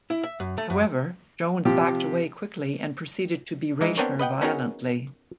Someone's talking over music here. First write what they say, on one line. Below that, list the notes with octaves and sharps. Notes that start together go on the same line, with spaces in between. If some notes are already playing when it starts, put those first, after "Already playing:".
However, Jones backed away quickly and proceeded to berate her violently.
E4
E5
F#2
A3
F#2
C3 F3 G4
E3 G#3 D#4
B3 C4 D4 A#4 C#5
B4 D#5 F#5 G5
B3 C#4 D#4 F#4 G#4 A#4